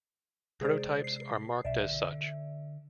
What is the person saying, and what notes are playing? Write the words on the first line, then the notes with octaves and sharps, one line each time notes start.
Prototypes are marked as such.
C3 G#3 G#4 C5 D5
C7
B1 D5 E5
D3